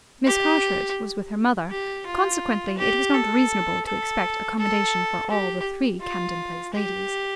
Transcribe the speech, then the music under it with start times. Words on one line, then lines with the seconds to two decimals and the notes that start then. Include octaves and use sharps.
Miss Carteret was with her mother; consequently it was not reasonable to expect accommodation for all the three Camden Place ladies.
0.27 G4
1.70 G4
2.07 F4
2.78 G4
3.14 A4
3.86 A4
4.58 A4
5.30 G4
6.01 F4
6.74 G4